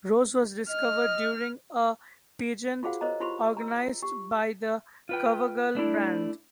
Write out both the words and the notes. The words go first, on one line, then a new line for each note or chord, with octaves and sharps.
Rose was discovered during a pageant organized by the "Covergirl" brand.
D#5 F6
F4 F#4 G#4 C5 F5 F#5
A#4 C5 C#5 D#5 A#5
E4 F4 G4 C5 B5 C6
A#5 E6
G4
F4 B4 G5
A3 D4 E4